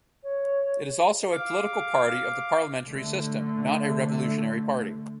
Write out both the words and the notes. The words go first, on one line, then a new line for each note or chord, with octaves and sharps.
It is also a political party of the parliamentary system, not a revolutionary party.
C#5
F5 D6
D3 A3